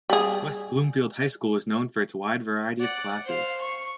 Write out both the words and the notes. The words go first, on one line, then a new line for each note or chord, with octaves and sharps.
West Bloomfield High School is known for its wide variety of classes.
G3 G#4
D5 F#5
C5 F5
C#6